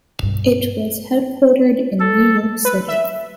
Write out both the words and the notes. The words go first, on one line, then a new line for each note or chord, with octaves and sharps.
It was headquartered in New York City.
G2 B2
A4
B4
E5